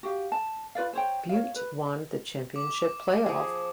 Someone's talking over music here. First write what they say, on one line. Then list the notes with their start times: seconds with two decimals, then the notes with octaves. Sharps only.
Butte won the championship playoff.
0.03 F#4 G4 F5
0.32 A5
0.75 F4 B4 D5 F5
0.93 C5 C#5 G5
1.29 C#5 F5
1.56 B4
2.56 D6
3.26 F3 G#4